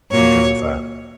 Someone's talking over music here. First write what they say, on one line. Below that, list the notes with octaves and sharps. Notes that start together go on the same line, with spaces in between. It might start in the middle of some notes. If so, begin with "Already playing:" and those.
I'm good with that.
A#2 F#3 A#3 C#5